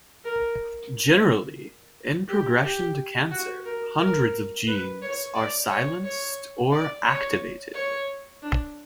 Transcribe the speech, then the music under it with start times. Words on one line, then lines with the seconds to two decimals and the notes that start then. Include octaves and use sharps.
Generally, in progression to cancer, hundreds of genes are silenced or activated.
0.24 A#4
2.29 G4
2.62 G4
3.31 F#4
3.65 A#4
3.99 A#4
4.67 B4
5.02 C#5
5.35 D5
5.69 C#5
6.04 C#5
6.72 D5
7.06 C#5
7.74 C#5
8.42 D4